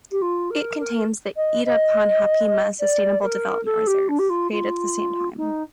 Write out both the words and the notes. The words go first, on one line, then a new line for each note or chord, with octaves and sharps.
It contains the Itapanhapima Sustainable Development Reserve, created at the same time.
G4
F4
A#4
A#4
D#5
D#5
D5
A#4
A4
G4
D4
G4
F4
F4
D#4